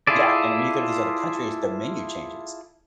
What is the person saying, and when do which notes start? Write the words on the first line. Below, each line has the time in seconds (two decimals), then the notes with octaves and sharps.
Yeah, and then you go to these other countries, the menu changes.
0.07 E4 F4 G#4 A4 D5